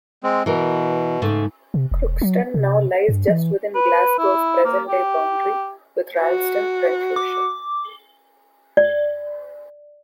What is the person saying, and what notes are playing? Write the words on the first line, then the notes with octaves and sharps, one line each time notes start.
Crookston now lies just within Glasgow's present-day boundary with Ralston, Renfrewshire.
G#3 C4
B2 E3 A#4
G#2 C#3 A3
C3
E1
F#3
C3
G2
E3
B4
E4
A#3
G4
F#4
D6
D5